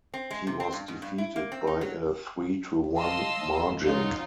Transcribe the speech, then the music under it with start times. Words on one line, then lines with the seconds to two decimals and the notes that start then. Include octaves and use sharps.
He was defeated by a three-to-one margin.
0.14 C4
0.31 G#3
0.47 C3
0.60 C4
0.73 G2
0.88 G#2
1.02 G2
1.18 E4
1.36 A#3
1.52 C4
1.67 D#4
1.81 F#3
2.96 D#5 F5 A5 C6 E6
3.83 F3 C#4 D#4 F4 F#4